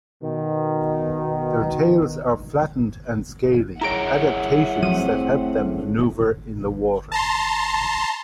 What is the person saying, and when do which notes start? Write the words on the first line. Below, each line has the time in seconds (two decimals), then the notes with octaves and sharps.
Their tails are flattened and scaly, adaptations that help them manoeuvre in the water.
0.23 B2 D#3
3.81 E4 G#4 C#5 E5 F#5 A#5 D7
4.83 F3 F#3 A3 C4 D#7
7.12 A5 A#5 C6